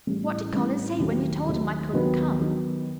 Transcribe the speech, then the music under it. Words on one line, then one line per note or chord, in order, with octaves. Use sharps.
"What did Colin say when you told him I couldn't come?"
A1 A2 G3
A1 A2 G3
D#2 D#3 F#3 A3
D#2 D#3 F#3 A3
D#2 D#3 F#3 B3
D#3 F#3 B3